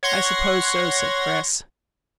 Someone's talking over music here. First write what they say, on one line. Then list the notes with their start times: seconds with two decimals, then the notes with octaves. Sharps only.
"I suppose so," said Chris.
0.03 C#5 F#5 C6 G#6 A#6